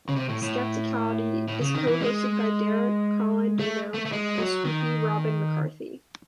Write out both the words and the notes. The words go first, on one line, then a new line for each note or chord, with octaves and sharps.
"Skepticality" is co-hosted by Derek Colanduno and "Swoopy" Robynn McCarthy.
C#3
C3
A2
A2
A2
C#3
D#3
E3
G#3
A3
A3
A3
G#3
F#3
D#3